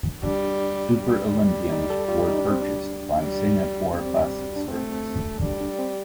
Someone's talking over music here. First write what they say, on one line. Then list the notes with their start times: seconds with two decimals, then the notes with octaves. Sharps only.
Super Olympians were purchased by Singapore Bus Service.
0.23 G3 D4
0.97 G3
1.72 D#4
1.90 A4
2.08 F4
2.28 D#4
2.39 D4
2.50 C4
2.62 D4
3.19 G3
3.94 G3 C4
4.56 D4
4.68 A3 C4
5.41 G3 D4
5.61 D4
5.79 C4